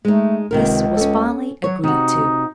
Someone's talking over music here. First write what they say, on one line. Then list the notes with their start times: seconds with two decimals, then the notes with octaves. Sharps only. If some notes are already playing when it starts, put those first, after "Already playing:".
This was finally agreed to.
0.05 G#3 A3 D#4
0.51 C#2 C3 D#3 A#4
0.97 C#4 A4
1.64 F#3 C#5
1.84 C3 D#4 F#4